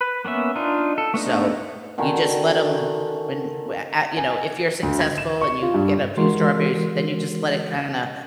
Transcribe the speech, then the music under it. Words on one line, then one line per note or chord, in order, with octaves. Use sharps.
so, you just let 'em when wha at you know, if you're successful and you get a few strawberries, then you just let it kinda
B4
A#3 B3 C#4 E5
D4 D#4 F4
A4
A3 B3 D4 D#4
D3 D#3 F#4 G#5
G#5
D2
G#6
E7
C#6
F4
G2
E3 G#3 F#4 A#4 C6